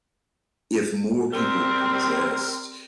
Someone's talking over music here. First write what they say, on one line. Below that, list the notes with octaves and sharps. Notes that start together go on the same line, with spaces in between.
if more people possessed,
G3 C4 G4 A#4 C6